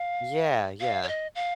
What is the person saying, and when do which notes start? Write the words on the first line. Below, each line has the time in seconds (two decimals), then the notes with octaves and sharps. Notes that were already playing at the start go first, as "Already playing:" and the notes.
Yeah, yeah.
Already playing: F5
0.81 F5
1.03 C#5
1.08 D#5
1.35 F5